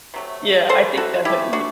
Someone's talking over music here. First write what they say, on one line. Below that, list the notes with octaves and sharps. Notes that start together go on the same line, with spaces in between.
Yeah, I think definitely.
C3 F#3 A3
E3 A3 A4 C5
F#4 A4
E3 A3 E4 G4
D4 F#4